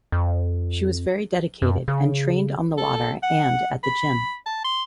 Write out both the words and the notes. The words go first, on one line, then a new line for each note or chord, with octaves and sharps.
She was very dedicated and trained on the water and at the gym.
F2
F#2
C#3
A4
F#5
B5
A5
C6